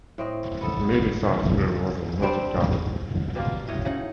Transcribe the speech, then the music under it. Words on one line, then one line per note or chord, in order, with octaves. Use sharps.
Lady Salisbury was a noted gardener.
A2 C4 D#5
B3 A4
G3 C4 D4
B2 G3 A#3 F4
A2 C#5 D#5
A2 C#3 D#4 F#5